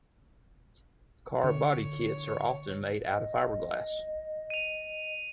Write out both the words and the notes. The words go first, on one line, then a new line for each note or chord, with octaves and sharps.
Car body kits are often made out of fiberglass.
D3 C#5
D#5
D#7 F7